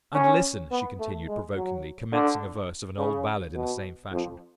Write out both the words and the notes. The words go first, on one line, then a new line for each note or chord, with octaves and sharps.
'And listen,' she continued, provokingly, commencing a verse of an old ballad in the same fashion.
C#4
B3
A3
G#3
F#3
D3
C#3
B2
F2